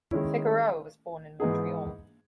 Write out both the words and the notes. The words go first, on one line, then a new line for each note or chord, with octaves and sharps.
Figueroa was born in Montreal.
D#3 G#3 C#4 E4
G#2 E3 B3 D#4 G#4